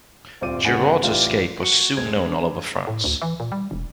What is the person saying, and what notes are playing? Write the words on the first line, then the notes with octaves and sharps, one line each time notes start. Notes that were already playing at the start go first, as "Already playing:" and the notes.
Giraud's escape was soon known all over France.
D#1 C4 F4 D5 D6 D#7
G1 C#3 G3 B3 F#5 G#5
A1 E3 F4 G4 D5
F#4 C#7
F1 G#3 C4 G#6
D4
A2
D2
E3
A#2
G3
E1